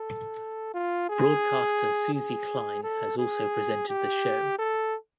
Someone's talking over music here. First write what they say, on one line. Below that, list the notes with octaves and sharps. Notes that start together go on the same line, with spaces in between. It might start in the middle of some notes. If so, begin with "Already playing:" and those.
Broadcaster Suzy Klein has also presented the show.
Already playing: A4
F4
G#4
G#4
A4
G#4
G4
A4